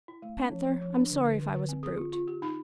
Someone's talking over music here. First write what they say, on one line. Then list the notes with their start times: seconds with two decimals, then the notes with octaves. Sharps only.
'Panther, I'm sorry if I was a brute.'
0.08 E4
0.22 A3
0.37 C#4
0.51 F3
0.66 F3
0.81 F3
0.96 D4
1.10 D3
1.25 D3
1.40 D3
1.54 D3
1.69 C4
1.83 G#4
1.98 F4
2.13 F4
2.28 G4
2.42 D#4